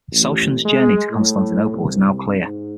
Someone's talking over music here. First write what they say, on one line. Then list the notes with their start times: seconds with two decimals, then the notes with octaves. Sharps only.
Souchon's journey to Constantinople was now clear.
0.12 A1
0.65 G#3
1.11 A2
1.72 C2
2.39 G#2